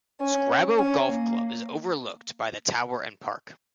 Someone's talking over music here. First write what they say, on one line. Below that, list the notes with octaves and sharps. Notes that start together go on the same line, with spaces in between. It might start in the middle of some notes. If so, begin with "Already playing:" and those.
Scrabo Golf Club is overlooked by the tower and park.
C#4
C#4
A#3